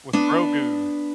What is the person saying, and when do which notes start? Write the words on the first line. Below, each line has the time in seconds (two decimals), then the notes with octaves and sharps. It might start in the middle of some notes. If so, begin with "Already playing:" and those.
With Grogu.
0.13 B3 D4